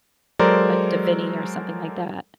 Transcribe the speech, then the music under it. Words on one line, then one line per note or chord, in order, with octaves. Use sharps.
but Dhivehi or something like that.
F#3 G#3 A4 A#4 C5 D5